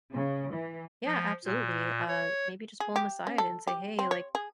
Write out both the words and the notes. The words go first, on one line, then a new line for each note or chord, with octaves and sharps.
yeah, absolutely. Uh, maybe just pull him aside and say, "Hey, like,
C#3
E3
F3
A#2
C#5
G#4
G4
C#4
A4
G4
C4
C#5
G#4